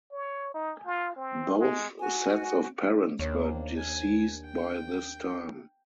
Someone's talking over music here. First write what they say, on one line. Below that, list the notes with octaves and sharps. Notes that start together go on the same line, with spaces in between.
Both sets of parents were deceased by this time.
C#5
D#4
F4
C4
G#3
F#4 G#5
D#2 A#3 D4 C5 C#5
G#5
G5